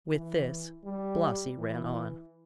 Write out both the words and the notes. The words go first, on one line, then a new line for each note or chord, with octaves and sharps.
With this Blasi ran on.
E3
G3
E3